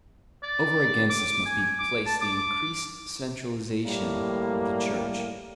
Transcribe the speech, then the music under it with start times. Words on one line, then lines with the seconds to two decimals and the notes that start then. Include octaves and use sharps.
Over against this must be placed the increased centralisation of the Church.
0.43 D5
1.10 D6
1.46 G#5
1.79 D6
2.06 A5
2.22 D6
3.84 A2 G3 A#3